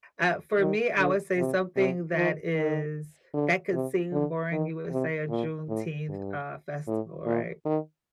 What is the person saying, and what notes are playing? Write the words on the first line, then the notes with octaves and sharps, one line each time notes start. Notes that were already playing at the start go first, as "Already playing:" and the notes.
uh for me, I would say something that is that could seem boring you would say a Juneteenth, uh, festival, right?
D#3
D3
C3
C3
F3
D#3
D3
C3
D3
D#3
C3
A#2
A2
G2
A2
A#2
D#3